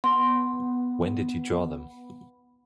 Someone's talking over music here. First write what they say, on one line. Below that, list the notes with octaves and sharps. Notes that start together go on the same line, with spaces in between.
When did you draw them?
B3 C6